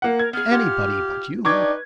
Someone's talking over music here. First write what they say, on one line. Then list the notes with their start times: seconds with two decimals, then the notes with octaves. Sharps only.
Anybody but you.
0.02 A#3 F#5
0.19 A#4 G#6
0.33 B3 G#4 F6
0.51 F4 G4 F#5
1.45 D4 D#4 B4 G5 C#6 D6 G#6